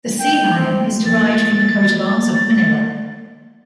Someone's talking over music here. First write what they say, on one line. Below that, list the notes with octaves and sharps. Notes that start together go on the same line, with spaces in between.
The Sea Lion is derived from the coat of arms of Manila.
G5
C4
F3 A#3 A6